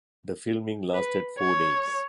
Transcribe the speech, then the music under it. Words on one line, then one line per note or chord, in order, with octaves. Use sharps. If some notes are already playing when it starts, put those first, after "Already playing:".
The filming lasted four days.
B4
C#5